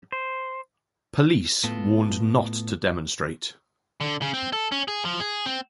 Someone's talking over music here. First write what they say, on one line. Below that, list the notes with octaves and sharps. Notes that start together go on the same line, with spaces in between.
Police warned not to demonstrate.
C5
A2 B3 F4 A4
D3
C#3
C4
A4
C#4
G#4
F3
G#4
C4